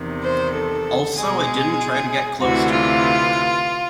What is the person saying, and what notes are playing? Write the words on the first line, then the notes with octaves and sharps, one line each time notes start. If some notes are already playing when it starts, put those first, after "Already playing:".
Also I didn't try to get close to him.
Already playing: E2 C3 D#3
C5
A4
B2 G#3 G#4
D2 C3 E3 F#4
F4